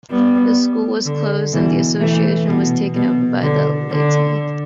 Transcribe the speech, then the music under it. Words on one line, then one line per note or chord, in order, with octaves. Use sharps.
The school was closed and the association was taken over by the laity.
G3 B3
D3
B2 E3
E3 A3
B2
B2
D3
D3